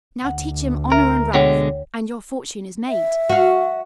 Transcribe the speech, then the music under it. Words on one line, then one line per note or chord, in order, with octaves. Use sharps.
Now teach him 'honor and ruff' and your fortune is made.
D2 F#5
A#4 E5
B2 D3 G#3 C#5 F#5 G5
E5
F#4 F5